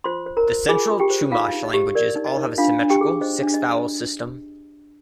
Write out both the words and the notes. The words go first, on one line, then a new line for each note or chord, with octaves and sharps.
The Central Chumash languages all have a symmetrical six-vowel system.
F4 C5 C6
C5
A#4 A#5
C5
F4 G#4 G#5
F4
G4 G5
C5
D#4 F4 F5
D#4
D#5
G4
A#4 D5
D#4
D#5
D#4
D4 F4 F5
D4
G4 G5
G#4
C5 D#5
D4
D#5